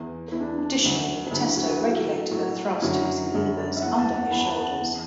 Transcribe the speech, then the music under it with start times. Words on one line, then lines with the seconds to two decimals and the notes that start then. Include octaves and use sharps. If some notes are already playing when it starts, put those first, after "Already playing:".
Additionally, the tester regulated the thrust using levers under his shoulders.
Already playing: E2 E3
0.32 E2 E3 E4
0.41 D4
0.58 D4
0.81 D2 D3 F#3
1.26 D4
1.31 D2 D3 F#3 E4
1.44 E4
1.57 F#4
1.69 B4
1.80 A2 F#3 A4
1.91 F#4
2.00 A4
2.31 A2 F#3 F#4
2.82 F#2 D3 F#3 E4
3.32 F#2 D3 F#3
3.77 E5
3.82 E2 E3 F#5
3.99 A5
4.16 F#5
4.31 E2 E3 B5
4.40 A5
4.49 F#5
4.58 A5
4.82 E2 E3